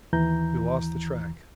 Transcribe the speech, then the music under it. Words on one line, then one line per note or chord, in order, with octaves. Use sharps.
We lost the track.
D#2 E3 A#5 G6